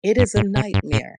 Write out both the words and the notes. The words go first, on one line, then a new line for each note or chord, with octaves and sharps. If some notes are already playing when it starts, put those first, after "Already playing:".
It is a nightmare.
G2
A2
C3
G2
A2